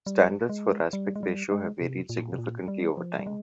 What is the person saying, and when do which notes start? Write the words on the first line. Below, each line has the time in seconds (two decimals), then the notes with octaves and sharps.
Standards for aspect ratio have varied significantly over time.
0.06 G3
0.49 G#3
0.93 G3
1.16 G#3
1.23 G3
1.51 G#3
1.81 C3
2.09 A#2
2.32 C3
2.38 A#2
2.68 G3
2.97 F3
3.19 G3
3.27 G#3